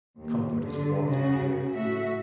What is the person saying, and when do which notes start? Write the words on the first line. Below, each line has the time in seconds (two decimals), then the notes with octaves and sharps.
Comfort is wanting here.
0.19 D#2
0.63 D3
1.04 C#3 F#4
1.72 A2 F#4 E5